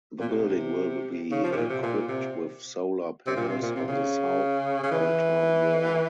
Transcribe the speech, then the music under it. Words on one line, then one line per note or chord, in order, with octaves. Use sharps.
The building will be equipped with solar panels on the south outer wall.
A#2
C3
C#3
F3
C3
A#2
C3
A#2
C3
C3
A#2
C3
A#2
C3
C#3
C#3
E3